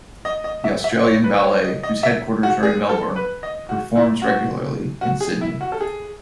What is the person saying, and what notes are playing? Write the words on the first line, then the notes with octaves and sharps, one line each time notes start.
The Australian Ballet, whose headquarters are in Melbourne, performs regularly in Sydney.
D#5
D#5
E5
E5
C#5
B4
C#5
D#5
D#5
E5
F#4
G#4
A4
B4
D#5
F#4
E4
F#4
F#4
G#4
E4
F#4
A4
G#4